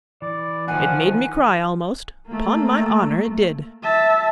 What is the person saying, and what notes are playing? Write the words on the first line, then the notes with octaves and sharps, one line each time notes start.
"It made me cry almost; 'pon my honour it did."
E3 D5
D#3 F3 F#5 G#5
A3 A#3
E5 A5